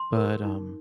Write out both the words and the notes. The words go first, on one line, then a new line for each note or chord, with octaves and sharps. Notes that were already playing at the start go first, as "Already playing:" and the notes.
But, um,
Already playing: C6
A#4
D#4